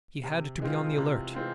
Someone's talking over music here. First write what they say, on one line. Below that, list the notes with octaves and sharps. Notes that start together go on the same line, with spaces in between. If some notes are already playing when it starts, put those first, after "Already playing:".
He had to be on the alert.
C3
E3 G#3 C4 F4
C3
E3 G#3 C4 F4